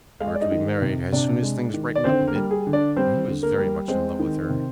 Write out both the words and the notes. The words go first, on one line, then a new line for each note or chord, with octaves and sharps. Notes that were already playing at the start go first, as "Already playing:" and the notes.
They were to be married "as soon as things brightened up a bit," and he was very much in love with her.
G#3 F5
D#5
D5
D#4 D#5
D#3
C3
C3 D4 D5
G#3
D#3
D5
D3 C4 C5
A#3 A#4
G3
G#4
D3
D4 D5
G3 C4 C5
D3
A#3 A#4
G3
G#3 C4 C5
D#3
C3